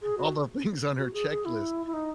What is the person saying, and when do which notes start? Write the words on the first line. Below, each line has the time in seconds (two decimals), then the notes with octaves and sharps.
all the things on her checklist,
0.02 G#4
0.17 F#4
0.97 F#4
1.13 G#4
1.29 G#4
1.45 E4
1.86 E4
1.93 D#4